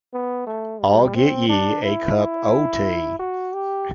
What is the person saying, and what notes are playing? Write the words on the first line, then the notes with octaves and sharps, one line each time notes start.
I'll get ye a cup o' tea.
B3
A3
G3
C4
D4
E4
E4
F#4
G4